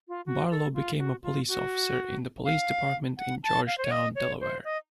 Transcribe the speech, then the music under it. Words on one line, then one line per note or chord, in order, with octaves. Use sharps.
Barlow became a police officer in the police department in Georgetown, Delaware.
F4
F#4
A4
F4
F#4
F4
F#4
F5
F#5
A5
F5
C5
C#5
D#5
C#5
C5
D#5